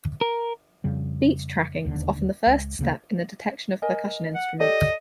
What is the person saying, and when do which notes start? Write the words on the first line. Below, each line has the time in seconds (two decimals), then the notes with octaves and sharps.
Beat tracking is often the first step in the detection of percussion instruments.
0.21 A#4
0.84 F2 C#3 G3
1.85 E1 D#2 D3
2.47 C#2
2.79 D2 C#3 A#3
3.82 A#4 D#5 G#5
4.35 F#5
4.60 G4 A4 D5 D#5